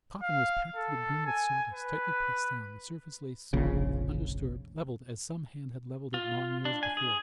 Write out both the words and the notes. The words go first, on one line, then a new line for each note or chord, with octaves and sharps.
The coffin was packed to the brim with sawdust, tightly pressed down. The surface lay smooth, undisturbed, levelled as some hand had levelled it long years before.
F5
A4
G#5
B4
F1 A#1 F2 C#3
F4
D4
G#5
G#4